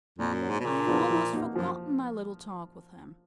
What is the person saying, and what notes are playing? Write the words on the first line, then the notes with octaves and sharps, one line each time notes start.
I had almost forgotten my little talk with him.
F2 A#2
F#2
F#3 C#4
G#2
B2
A#2 C#3
F3 B3 F4 G#4
F3
A#3 D#4 F#4
F#2 F3